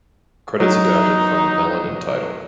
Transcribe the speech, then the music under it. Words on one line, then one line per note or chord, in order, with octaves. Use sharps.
Credits adapted from Melon and Tidal.
F#3 D#4